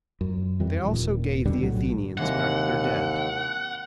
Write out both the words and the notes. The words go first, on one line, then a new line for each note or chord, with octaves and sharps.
They also gave the Athenians back their dead.
F#2
F2 E3 G3
D#1 A#2
F2 B2 D3 G3
B1 A2 F#3
D#2 C3 E3 G#3 F#5